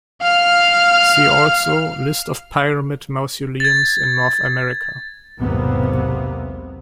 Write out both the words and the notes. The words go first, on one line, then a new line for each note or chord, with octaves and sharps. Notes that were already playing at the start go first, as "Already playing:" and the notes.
See also List of pyramid mausoleums in North America.
F5 F6
G#6 A6
B1 E2 G#2 C3 A#3 B3